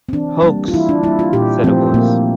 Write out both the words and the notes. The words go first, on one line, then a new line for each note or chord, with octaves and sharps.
"Hoax," said a Voice.
C4
E3 D4
G3 A#3
F4
E3 E4
D4
G3 A#3 E4
F4
A#2 G4
F3 A3 C4
A#2 A#3